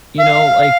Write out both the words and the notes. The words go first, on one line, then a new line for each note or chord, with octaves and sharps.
you know, like
F5
F5